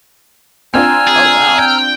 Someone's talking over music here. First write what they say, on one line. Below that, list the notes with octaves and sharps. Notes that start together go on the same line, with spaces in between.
Oh, wow.
C4 D4 F4 G#5 A#5 E6 F6
G#4
G5